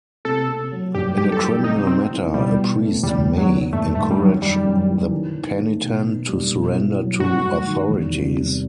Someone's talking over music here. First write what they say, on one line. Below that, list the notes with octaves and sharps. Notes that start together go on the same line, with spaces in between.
In a criminal matter, a priest "may" encourage the penitent to surrender to authorities.
C3 A4
C3
F#3
G2 G4
D#4 G4
A4
E3 G4
C3 D#4
C4 D#4
E3
B2 G3
B2
A3
E2 G3
E2
F#3
D#3
G2 A3
G2 A3
G3
D#3 F#3
F#2 G3
F#2
E3
D#3
D#3
A3
B2
D#4
G3
B2
E4
F#3
G2 F#4
A3
D#3
E2
G3
C3